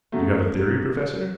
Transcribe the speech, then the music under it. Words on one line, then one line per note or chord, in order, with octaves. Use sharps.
"You have a theory, professor?"
C#3 F#3 A3